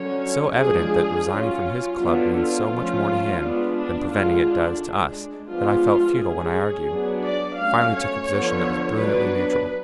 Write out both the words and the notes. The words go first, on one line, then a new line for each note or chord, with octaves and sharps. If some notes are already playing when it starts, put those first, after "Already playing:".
It's so evident that resigning from his club means so much more to him than preventing it does to us that I felt futile when I argued; finally took a position that was brilliantly neutral.
Already playing: D3 F#3 C#4 C#5
F3 G#3 D4 G#4
F#3 C#4 F4
D3 F#3 B3 D4 F4
F4
F3 A3 C#4
G#3 B3 D4
D4
D3 G#3 D4 F4
D4
G#3 D4
F3 G#3 B3 D4 F4
G#3 C#4 G#4
F#3 B3 D4
D5
F#3 A3 C#4 F5
C#5
D3 F3 B3 D4
F#3 B3 D4 B4